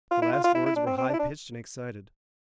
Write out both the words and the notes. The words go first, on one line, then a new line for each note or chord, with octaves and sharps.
The last words were high-pitched and excited.
F4
E4
F4
F4
E4
E4
D4
C4
C4
D4
E4
D4